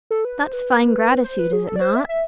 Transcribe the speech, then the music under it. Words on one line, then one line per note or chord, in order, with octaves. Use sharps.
That's fine gratitude, is it not?'
A4
B4
C5
B4
C5
B4
G#4
A4
D5
C5
E5
E5